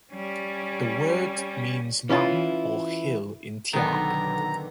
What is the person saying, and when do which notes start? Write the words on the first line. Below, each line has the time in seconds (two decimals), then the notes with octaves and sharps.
The word means "mountain" or "hill" in Tyap.
0.13 G3 C#4
2.09 E3 C#4 E4 F4
3.73 B1 D3 D#3 B3 A#5